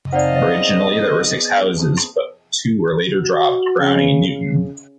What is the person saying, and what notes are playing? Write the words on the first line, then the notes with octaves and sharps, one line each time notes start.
Originally there were six houses, but two were later dropped: Browning and Newton.
C4 D#4 D5 D#5 F5 F#5 G#5 A5
B3 G#4
C#6 D6
A5 D#6
F#4
C#3
C#3